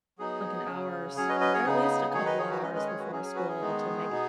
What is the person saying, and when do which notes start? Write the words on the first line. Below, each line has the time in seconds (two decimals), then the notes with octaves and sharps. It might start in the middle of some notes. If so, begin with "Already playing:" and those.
like an hour or s or at least a couple hours before school to make it
0.19 F#3 B3 D#4 G#4
0.67 C#3 F#3 C#4
1.16 F#3 C#4 G#4 C#5
1.29 B4 D#5
1.40 B4 D#5
1.53 G#4 C#5
1.65 C#3 B3 D#4 G#4
2.14 D#3 F#3 D#4 G#4 C#5
2.26 B4 D#5
2.38 G#4 C#5
2.50 F#4 B4
2.62 D#3 G#3 C#4 B4 D#5
2.75 B4 D#5
2.87 G#4 C#5
2.99 F#4 B4
3.11 F#3 C#4 G#4
3.24 G#4
3.35 F#4 B4
3.48 G#4
3.60 D#3 G#3 B3 D#4
4.09 B2 B3 D#4